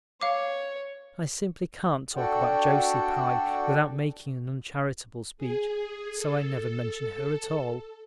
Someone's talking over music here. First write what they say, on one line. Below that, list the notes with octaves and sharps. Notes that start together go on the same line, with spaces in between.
I simply can't talk about Josie Pye without making an uncharitable speech, so I never mention her at all.
C#5 F5 D6
D4 F#4 A4 D5 F#5 G5
G#4
A4